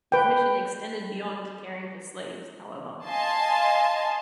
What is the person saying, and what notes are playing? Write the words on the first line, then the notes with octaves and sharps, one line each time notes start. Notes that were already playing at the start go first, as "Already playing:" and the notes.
His mission extended beyond caring for slaves, however.
B4 G5
D#5 F5 G#5 A5 C6